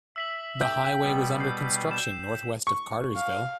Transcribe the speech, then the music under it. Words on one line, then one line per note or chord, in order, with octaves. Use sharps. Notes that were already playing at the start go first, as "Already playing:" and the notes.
The highway was under construction northwest of Cartersville.
E5 E6 B6 F#7
G5
B2 G3 B3
G6 C7
E7
C#6
F5